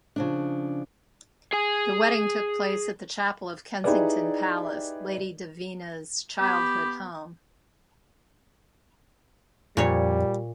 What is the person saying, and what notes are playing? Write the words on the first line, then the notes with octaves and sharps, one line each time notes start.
The wedding took place at the chapel of Kensington Palace, Lady Davina's childhood home.
C#3 F3 D4
G#4 G#5
D#4 E4 G4 G#4 B4 D5
B3 G4 B5
F2 A#2 G3 C#5